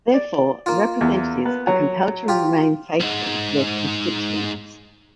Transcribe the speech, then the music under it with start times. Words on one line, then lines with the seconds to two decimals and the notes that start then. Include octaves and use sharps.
Therefore, the representatives are compelled to remain faithful to their constituents.
0.14 D5
0.66 A#3 F4
1.01 E2
1.45 B3
1.67 F#3
2.28 F4 G4
3.00 B1 G#2